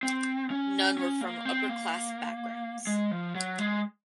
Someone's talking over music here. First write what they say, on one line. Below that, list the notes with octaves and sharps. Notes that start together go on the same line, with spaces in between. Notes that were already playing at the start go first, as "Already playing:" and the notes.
None were from upper class backgrounds.
C4
C#4
C#4
A#3
C4
A#3
G#3
F3
F#3
G#3